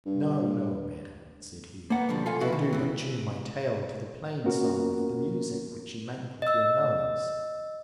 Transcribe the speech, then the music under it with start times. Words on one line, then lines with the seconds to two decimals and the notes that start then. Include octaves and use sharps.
No, no, madam, said he, I do but tune my tail to the plain song of the music which you make with your nose.
0.05 G2
1.90 A#3 B3 F#5
2.09 B2 D3 F3 G3
2.26 C2 F4 A4 F5 G#5
2.41 B3 E4 F#4
2.52 D#3
2.73 C#3 E3
4.44 A#3 B3 C#4 F4 F#4 A#4
6.42 D#5 E6